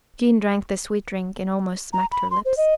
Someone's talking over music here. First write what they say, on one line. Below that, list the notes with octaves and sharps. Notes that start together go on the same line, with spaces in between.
Jean drank the sweet drink and almost smacked her lips.
A#5
B5
C6
C5
D#5